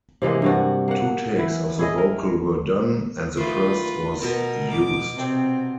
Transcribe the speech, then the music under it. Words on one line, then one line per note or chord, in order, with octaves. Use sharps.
Two takes of the vocal were done, and the first was used.
C3 E3 G#3 A#3
G2 C3 F#4
A#3 F#5
E3 E4
E4 G#4 D#5
A#4
D#3 A3 F4 B4 C5
B2 A4 A#4 A5
D6
C3 C4